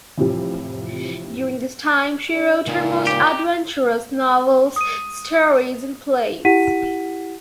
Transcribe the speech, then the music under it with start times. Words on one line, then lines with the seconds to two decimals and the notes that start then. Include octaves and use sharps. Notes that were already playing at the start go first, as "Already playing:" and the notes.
During this time she wrote her most adventurous novels, stories and plays.
0.18 F2 A2 C3 E3 F3 G3
2.34 D4
2.67 C#2 A#2 D#4
3.07 G4
4.76 D#6 D#7
6.45 E4 G4 F#5 B6 D#7